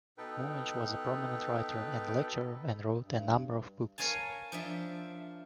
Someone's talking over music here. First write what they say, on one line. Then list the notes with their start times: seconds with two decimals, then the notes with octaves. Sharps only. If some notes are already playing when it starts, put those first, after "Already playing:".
Muench was a prominent writer and lecturer and wrote a number of books.
0.18 B2 D#4 A4 B4 G5
3.01 G2
3.98 A#4 C#5 F5 G#5 A5
4.52 F3 D4 E5